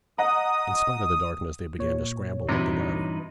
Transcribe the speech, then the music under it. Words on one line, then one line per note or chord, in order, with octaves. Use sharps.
In spite of the darkness they began to scramble up the ladder.
D#5 F#5 A#5 D#6
A#2 C#5
G2 C3 E3 F#3 D#4 B4